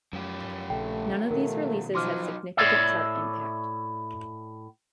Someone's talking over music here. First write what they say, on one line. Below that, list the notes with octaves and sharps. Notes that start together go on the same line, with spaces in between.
None of these releases had significant chart impact.
F#2 F3 G4
A#1 C#3 A3 G5
B2 D#3 A3 A#4
F3 F#3 D#4 C6 D6 F6
A2 C#5 D5 E5